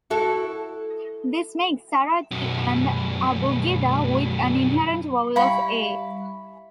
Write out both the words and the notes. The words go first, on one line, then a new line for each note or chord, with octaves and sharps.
This makes Sarati an abugida with an inherent vowel of "a".
E4 F#4 A4
B1 F#2
G3 E4 F5 G5 B5 C#6